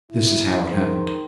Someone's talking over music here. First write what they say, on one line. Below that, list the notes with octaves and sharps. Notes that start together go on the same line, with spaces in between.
This is how it happened.
E4
D#3 F3 G#3 C5